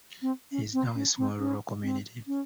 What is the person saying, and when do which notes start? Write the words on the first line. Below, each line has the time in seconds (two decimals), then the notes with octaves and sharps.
It is now a small rural community.
0.22 C4
0.51 C#4
0.73 C4
0.95 C#4
1.18 C4
1.39 C#4
1.83 C4
2.27 C#4